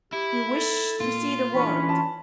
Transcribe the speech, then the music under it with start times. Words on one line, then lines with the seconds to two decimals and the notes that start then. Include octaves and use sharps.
'You wish to see the world.
0.13 E4 G4
0.51 A4
1.00 A#2 F4
1.53 E3 C#4 D4 B5
1.89 A5